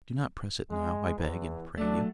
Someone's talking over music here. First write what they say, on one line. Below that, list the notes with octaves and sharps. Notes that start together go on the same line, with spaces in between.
'Do not press it now, I beg and pray you.
G#3
E2 E3
F#3 A3 D4